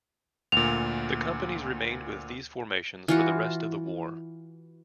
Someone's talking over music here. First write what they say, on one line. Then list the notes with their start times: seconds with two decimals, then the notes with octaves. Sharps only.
The companies remained with these formations for the rest of the war.
0.52 D2 A#2 F7
3.08 E3 F4 F#4